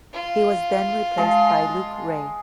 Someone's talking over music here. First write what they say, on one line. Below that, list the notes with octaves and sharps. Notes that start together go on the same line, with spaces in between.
He was then replaced by Luke Ray.
F4
G#3 F5 A5